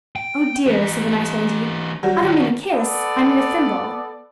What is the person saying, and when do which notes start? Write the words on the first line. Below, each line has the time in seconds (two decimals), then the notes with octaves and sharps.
"Oh dear," said the nice Wendy, "I don't mean a kiss, I mean a thimble."
0.16 G5
0.66 E3 G4
2.03 F#3 G3
2.23 D#3 F#4
2.72 B3 A4 D5